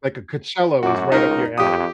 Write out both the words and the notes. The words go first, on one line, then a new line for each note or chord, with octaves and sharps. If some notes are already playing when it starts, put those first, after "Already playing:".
Like a Coachella was right up your alley.
F#2 F#4 D6
C#2 D#4 A#4
F2 G4 D#6